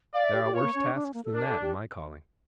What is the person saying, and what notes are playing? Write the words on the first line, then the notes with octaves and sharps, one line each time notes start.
There are worse tasks than that, in my calling.'
D5 F5
E5
G4
G4
F4 C#5
A#3
C#4
D4
D4
C#4
A#3
A4
D4 A#4
A4
G4